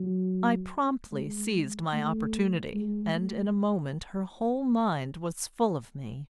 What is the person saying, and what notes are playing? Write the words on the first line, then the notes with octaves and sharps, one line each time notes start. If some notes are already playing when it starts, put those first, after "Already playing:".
I promptly seized my opportunity, and in a moment her whole mind was full of me.
Already playing: F#3
G#3
A3
G#3
A3